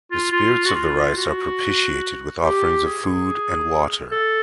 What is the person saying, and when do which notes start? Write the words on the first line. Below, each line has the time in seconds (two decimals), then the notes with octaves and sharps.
The spirits of the rice are propitiated with offerings of food and water.
0.11 F4
0.32 F4
0.65 F#4
0.75 F4
1.17 F#4
2.43 G4
2.85 G#4
4.11 A4